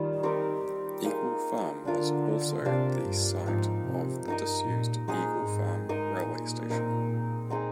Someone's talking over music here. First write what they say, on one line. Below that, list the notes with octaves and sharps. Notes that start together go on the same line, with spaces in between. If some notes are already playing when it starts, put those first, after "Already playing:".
Eagle Farm was also the site of the disused Eagle Farm railway station.
Already playing: D#3 G3 F4
C4 D#4 G4 A#4
A#3 D#4 G#4 D#5
D3 D4 F4 A#4
C3 D4 G4 C5 F5
G2
G#2 F3 C4 D#4
C3
G2 D#4 A#4 D#5
A#2
A#2 G#3 C4 D#4 G#4
G#2
G#2 D#4 A#4 D#5
A#2
C4 D#4 A#4
C4 D#4 G#4